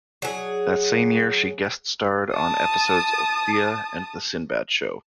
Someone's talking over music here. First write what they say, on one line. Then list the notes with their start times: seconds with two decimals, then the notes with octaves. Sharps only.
That same year she guest starred on episodes of "Thea" and "The Sinbad Show".
0.22 F#3 G#4
2.33 A5 D#6